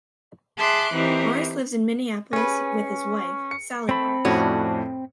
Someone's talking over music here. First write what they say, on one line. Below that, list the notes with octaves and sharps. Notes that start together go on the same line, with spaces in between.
Mars lives in Minneapolis with his wife, Sally Mars.
G#4 E5 A5 C6 D6 F#6
E3 C4 D#4 G4 A#4
C#4 G#4 B4
C#7
A3 C4 B5
F2 A2 C#4 D4 F#4